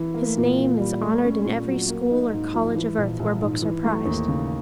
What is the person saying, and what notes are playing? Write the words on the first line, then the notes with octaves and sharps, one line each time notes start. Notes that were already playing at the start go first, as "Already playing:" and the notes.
His name is honored in every school or college of earth where books are prized.
Already playing: E3
A#3
A#2
A#2
G3
A3
C#4
A#2
F#3
A#3
D#4
G#2
F3
E3
A#1
A#1
G#2
E3
A3
D#2
C#3